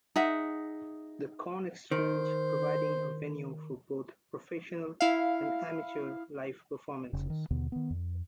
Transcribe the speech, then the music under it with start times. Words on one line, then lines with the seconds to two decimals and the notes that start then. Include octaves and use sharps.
The Corn Exchange providing a venue for both professional and amateur live performances.
0.16 D#4 G#4 E5 F#5
1.91 D#3 C5
5.00 E4 F5
7.13 F1 C#3
7.30 D#3
7.51 D#2 B2 D3 B3
7.72 D#3 B3
7.90 F2